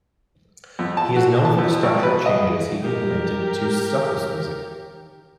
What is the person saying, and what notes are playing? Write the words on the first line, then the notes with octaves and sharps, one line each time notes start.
He is known for the structural changes he implemented to soukous music.
F2
A5
F#4
A5
F2
G#1
B4
D#5
G4 A#4